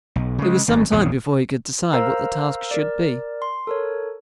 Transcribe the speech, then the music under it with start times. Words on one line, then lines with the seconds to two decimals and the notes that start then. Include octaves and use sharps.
It was some time before he could decide what the task should be.
0.16 B1
0.38 C#3 G#3
0.68 G#1 F#2
0.92 A#1 E2 C#3
1.93 A#4 C5 F5 A#5 E6
2.71 A#4 D5
3.42 C6
3.67 A4 A#4 C#5